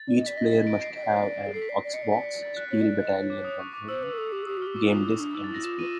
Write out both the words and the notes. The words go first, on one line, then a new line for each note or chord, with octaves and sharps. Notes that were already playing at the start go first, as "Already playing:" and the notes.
Each player must have an Xbox, Steel Battalion controller, game disc and display.
Already playing: A6
D5
D#5
D5 B6
D#5 A#6
B6
D7
C7
D#5
D5
C#5
D5
G#4
A4 C7
B6
D5 C7
D5
D#5 C#7
D5 C7
B6
A6
F#6
C#5
D#5
D5
D#5
D5
C#5
D6
D#6
C#6
D6
C5 E6
B4 D#6
A#4
A4 D#6
G4 D6
G#4
G4 D#6
F#4
F6
G4
F#4 D6
E4 D#6
F4
D#6
E4
D4 D#6
D#4 E6
A6
E4 A#6
F4 E7
D#7